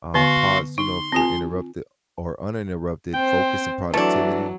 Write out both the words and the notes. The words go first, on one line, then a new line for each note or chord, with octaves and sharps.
um, pause, you know, for interrupte or uninterrupted focus and productivity
D3 B3 F#4 F5 C6
D#4 C6
C4 F4 G#5
C4 C5 G5
E3 F#3 A3 D4